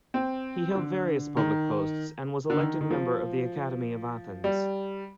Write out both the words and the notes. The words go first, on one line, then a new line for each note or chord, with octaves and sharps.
He held various public posts and was elected member of the Academy of Athens.
C4
D3
D#3
D3
D#3
D#3
F3
G3